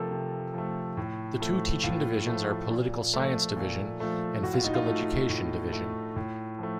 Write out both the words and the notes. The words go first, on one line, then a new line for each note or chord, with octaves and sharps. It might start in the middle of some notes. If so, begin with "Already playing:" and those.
The two teaching divisions are Political Science Division and Physical Education Division.
Already playing: C3 F3 A3 A4 A#4
C3
F3 A3
A2
F3 A3
A2 F4
F3 A3
A#2
F3 A3
A#2
F3 A3
A2 F#4
F4
D#4
F4
A3
A2
A3
A2
F3 A3